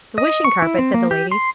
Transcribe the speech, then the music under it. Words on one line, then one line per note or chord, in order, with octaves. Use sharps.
'The wishing carpet?' said the lady.
D#5
C#6
E4
C4
A#3
G4
C6